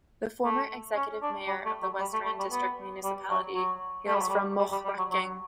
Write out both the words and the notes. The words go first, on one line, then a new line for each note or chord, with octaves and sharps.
The former Executive Mayor of The West Rand District Municipality hails from Mohlakeng.
A3
C#4
D4
G3
A3
F#3
G3
A3
A3
G3
B3
G3
F#3
F#3
A3
G3
F#3
G3
G3
G3
G3
F#3
F#3